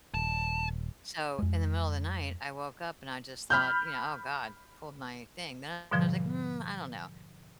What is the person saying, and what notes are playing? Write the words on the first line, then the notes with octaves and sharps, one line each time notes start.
so in the middle of the night, I woke up and I just thought, you know, "Oh, god, pulled my thing," then I was like, "Mm, I don't know."
D#1 A5
F2 G#3
B5 F6 G6
G#2 B2 D3 F3 G3 G#6